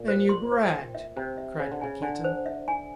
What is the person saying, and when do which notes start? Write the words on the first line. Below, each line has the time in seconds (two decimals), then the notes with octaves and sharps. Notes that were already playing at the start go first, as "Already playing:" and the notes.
"And you bragged!" cried Rakitin.
Already playing: A#2
0.08 C5
0.29 C6
0.52 C5
0.74 G5
0.95 E5
1.16 C3 C5
1.38 E5
1.60 C#3 C5
1.72 D3
1.81 C#3 G#5
2.02 D3 G#5
2.24 C5
2.46 E5
2.68 G#5